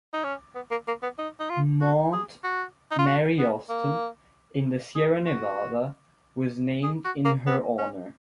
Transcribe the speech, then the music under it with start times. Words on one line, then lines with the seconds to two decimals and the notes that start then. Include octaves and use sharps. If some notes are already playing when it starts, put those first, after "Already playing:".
Mount Mary Austin, in the Sierra Nevada, was named in her honor.
0.13 D#4
0.24 C#4
0.55 B3
0.71 A#3
0.88 A#3
1.03 B3
1.18 D#4
1.40 D#4
1.50 F4
1.81 F#4
2.13 G#4
2.44 F#4
2.91 D#4
2.99 F4
3.06 F#4
3.39 B3
3.69 A#3
4.95 G#4
5.26 F#4
6.83 G#4
7.05 F#4
7.25 A#3
7.47 B3
7.78 C#4